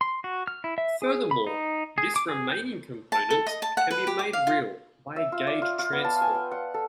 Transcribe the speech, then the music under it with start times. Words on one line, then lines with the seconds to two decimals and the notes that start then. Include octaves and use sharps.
Furthermore, this remaining component can be made real by a gauge transform.
0.01 C6
0.24 F#4
0.47 F6
0.64 E4
0.78 E5
1.02 G#4
1.31 B5
1.47 D#4
1.98 G#4
2.16 D6
2.28 G#4
2.52 G6
3.12 A5
3.30 A4
3.46 D#5
3.62 A5
3.77 F#5
3.91 B4
4.07 G4
4.19 D6
4.33 F5
4.47 F4
5.16 E5
5.32 F4
5.47 D5
5.62 F4
5.79 F4
5.93 B3
6.04 A5
6.21 G#5
6.34 G5
6.51 F#5
6.74 A4